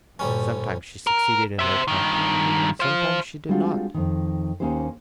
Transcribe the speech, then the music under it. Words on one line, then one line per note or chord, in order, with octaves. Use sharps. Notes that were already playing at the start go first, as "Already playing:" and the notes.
Sometimes she succeeded in her attempt; sometimes she did not.
D2 G2 A#2 G3 C#4
A#4
C5 E5
G2 D#3
C5 F5
G3 G#3 C4 D4 F4 F#4
F2 D#3
D#2 A#3 C#4 D#4 G4 C5